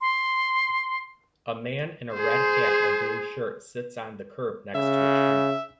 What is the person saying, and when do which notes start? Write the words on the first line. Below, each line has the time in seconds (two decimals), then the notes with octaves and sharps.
A man in a red hat and blue shirt sits on the curb next to a tree.
0.01 C6
2.15 G#4 C5
4.75 C#3 E5